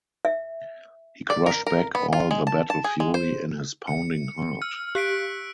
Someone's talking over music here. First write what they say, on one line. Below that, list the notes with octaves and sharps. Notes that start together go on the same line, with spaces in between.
He crushed back all the battle-fury in his pounding heart.
E5
D5
A#4
A#4
B3
F4
G#3
A5
A5
G#4
G#3
C5
C#7
E6 F6
G4 F#6 B6 D7